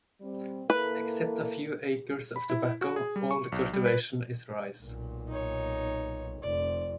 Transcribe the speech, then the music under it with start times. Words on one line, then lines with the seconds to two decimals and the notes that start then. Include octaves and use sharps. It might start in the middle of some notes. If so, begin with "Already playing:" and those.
Except a few acres of tobacco, all the cultivation is rice.
0.21 G3 C4
0.70 A#3 E4 A4 B4
2.36 B5
2.50 E4
2.81 F#4
2.96 G#4
3.16 G3
3.31 C#6
3.52 B1
3.73 G3
3.86 B4
4.83 B1 A#2
5.28 D#4 C#5
6.42 F1 F2 D5